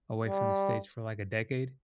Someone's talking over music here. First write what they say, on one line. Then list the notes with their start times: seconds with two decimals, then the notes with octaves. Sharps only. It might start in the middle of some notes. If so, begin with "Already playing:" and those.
away from the States for like a decade.
0.25 G3